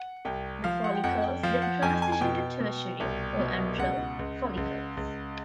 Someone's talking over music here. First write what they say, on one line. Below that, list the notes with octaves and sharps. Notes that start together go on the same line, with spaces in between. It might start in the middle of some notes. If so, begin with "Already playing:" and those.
The follicles then transition to tertiary, or antral, follicles.
Already playing: F#5
C2 G5
F3 F5
F#5
G5
F2 F#5
G5
F3 F5
F#5
F2 G#5
G#5
G#5
B2 G5
B2
C2
B2
C#2 F#5
C#2
C#2
C#2